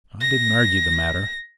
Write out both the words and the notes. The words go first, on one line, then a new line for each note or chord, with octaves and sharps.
I didn't argue the matter.
A#6